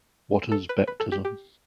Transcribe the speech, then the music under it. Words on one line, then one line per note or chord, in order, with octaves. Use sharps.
What is baptism?
A4
B4
B4
A4
G4
G4